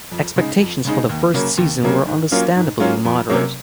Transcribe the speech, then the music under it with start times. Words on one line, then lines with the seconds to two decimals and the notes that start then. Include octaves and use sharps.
Expectations for the first season were understandably moderate.
0.12 F2
0.36 C#3 G#3 D#4
0.60 F2
0.85 C#3 G#3 D#4
1.09 D#2
1.34 C#3 F#3 A#3
1.58 D#2
1.83 C#3 F#3 A#3
2.07 G#2
2.31 F#3 A#3 C#4 F4
2.56 G#2
2.80 F#3 A#3 C#4 F4
3.05 F2
3.29 C3 F#3 A#3 C#4